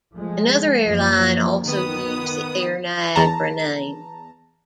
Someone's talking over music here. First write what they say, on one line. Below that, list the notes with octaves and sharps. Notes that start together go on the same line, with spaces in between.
Another airline also used the Air Niagara name.
F3 G#3 A3
F#2 F3 A#3
D#3 B3 D#6
E2 A5 A#5